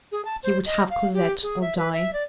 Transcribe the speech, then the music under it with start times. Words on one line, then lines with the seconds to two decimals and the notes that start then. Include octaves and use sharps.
He would have Cosette or die.
0.12 G#4
0.25 A5
0.43 C5
0.66 D#5
0.90 F5
1.14 G4
1.43 G#4
1.61 E5
1.77 B4
1.93 E5
2.13 D5